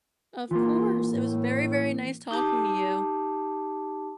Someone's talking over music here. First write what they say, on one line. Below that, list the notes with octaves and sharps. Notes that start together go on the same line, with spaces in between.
Of course, it was very, very nice talking to you.
E3 A#3 F4
A2
D#4 G4 A5 D6